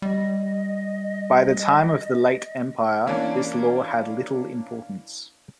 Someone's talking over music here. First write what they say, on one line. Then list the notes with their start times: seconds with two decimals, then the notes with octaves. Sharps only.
By the time of the late empire, this law had little importance.
0.02 G3 D#5
3.07 E3 A#3 C#4 D4